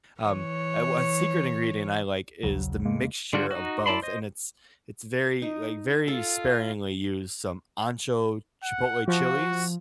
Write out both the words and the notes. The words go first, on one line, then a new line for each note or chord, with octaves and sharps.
um, a w a secret ingredient I like is the mixture of both, and it's it's very, like, very sparingly used, some ancho chipotle chilies
E3 C#5
A#1 D#2 C#3 F#3
E2 C#3 G#3 A#3
D3 G3 D4 F4 F#4
D#4 F#4
E4 D5 A5 B5 C6
C5 D#5
D#4
F4 A4
F#5
F3 F#4